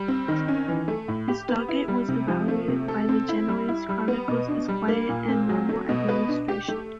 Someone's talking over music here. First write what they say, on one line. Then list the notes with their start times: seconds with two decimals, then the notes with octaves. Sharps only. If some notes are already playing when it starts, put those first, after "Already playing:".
His Dogate was evaluated by the Genoese chronicles as quiet and "normal administration".
Already playing: G3
0.08 C4
0.28 D#3
0.48 C#4
0.68 E3
0.88 A3
1.08 A2
1.28 G4
1.49 B3
1.68 E4
1.88 G3
2.08 C3
2.28 F3
2.48 A3
2.68 C3
2.88 A4
3.09 C4
3.29 E4
3.48 G3
3.68 E4
3.89 G3
4.08 B3
4.28 B2
4.48 D4
4.68 G3
4.88 A#3
5.09 A#2
5.28 C4
5.49 F#3
5.69 A3
5.89 B2
6.09 B4
6.28 D4
6.48 G4
6.68 A3